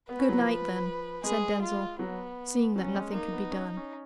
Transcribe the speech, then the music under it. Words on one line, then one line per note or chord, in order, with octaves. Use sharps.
"Good-night, then," said Denzil, seeing that nothing could be done.
B3 B4
C#4
F#3
F3
G#3 G#4
F4
F#3 B3
F#3 C#4
G#3
A#3 D#4
B3
C#4
C#4